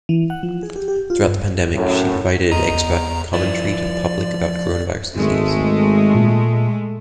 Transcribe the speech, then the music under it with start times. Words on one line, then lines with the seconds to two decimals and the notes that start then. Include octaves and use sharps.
Throughout the pandemic she provided expert commentary to the public about coronavirus disease.
0.09 E3
0.30 F#5
0.43 F3
0.63 G#4
0.76 G4
0.88 G4
1.10 F4
1.27 G2
1.74 F#2 A2
2.52 E2 D#5 A#5
3.34 F3 E4 D5
5.16 G#1 G#3 A3
6.15 A#2